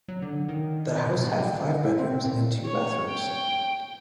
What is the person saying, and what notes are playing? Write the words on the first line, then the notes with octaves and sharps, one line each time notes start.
The house had five bedrooms and two bathrooms.
F#3
D3
D#3
B2
G2
G3
D3
E4
C4
A#2
C#5
G5